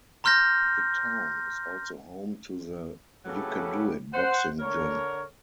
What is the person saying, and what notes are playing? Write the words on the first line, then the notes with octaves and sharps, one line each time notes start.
The town is also home to the "U Can Do It" boxing gym.
A#5 C6 F6 G6 A#6
A2 C#3 F#3 G4 A4 B4
C5 F#5
D3 A#4 C#5